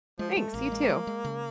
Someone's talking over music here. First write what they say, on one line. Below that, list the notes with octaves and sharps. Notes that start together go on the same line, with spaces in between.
Thanks you too.
F3 G#3
G#3 A3
A1 A#3
G#3
G#3
G#3
C#3